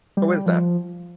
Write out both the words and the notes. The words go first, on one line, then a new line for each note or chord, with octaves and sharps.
Who is that?
G3
F3